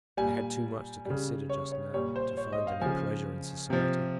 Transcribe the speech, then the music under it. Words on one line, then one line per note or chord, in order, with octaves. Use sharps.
I had too much to consider just now, to find any pleasure in society.
A#2 G3 G#5
C#3 G3
C#5
C#5
A#2 G3 C#5
C5
C#5
D#5
F5
C#3 F3 G#5
C3 F3